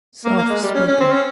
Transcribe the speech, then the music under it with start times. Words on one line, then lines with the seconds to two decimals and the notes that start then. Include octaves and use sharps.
Soft spoken.
0.25 A#3
0.38 A#3
0.50 G#3
0.62 G3
0.75 C#4
0.88 C#4
1.00 C4
1.12 C#4